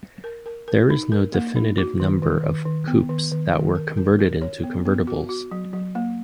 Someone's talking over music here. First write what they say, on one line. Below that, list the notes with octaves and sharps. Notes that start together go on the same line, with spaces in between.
There is no definitive number of coupes that were converted into convertibles.
A#4
A#4
A#4
D#4
A#4
A#3
D#4
F#4
D#3
D#3
D#3
D#3
B3
D#3
D#3
D#3
A#4
A#4
A#4
C#5
B3
B3
F#4
F#4
F#3
F#3
A#3